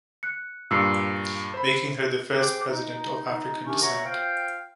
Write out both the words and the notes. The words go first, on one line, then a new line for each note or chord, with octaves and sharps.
Making her the first President of African descent.
F#6 C#7
G2 A#2 E6 C7 C#7
C5 B5
G#4 C5 G5 D6
D#4
C3 D#3 C#4 D4 G4 C#6
F#4 C#5 E5 F#5 A#5 C#6
F4 C5 F5 G5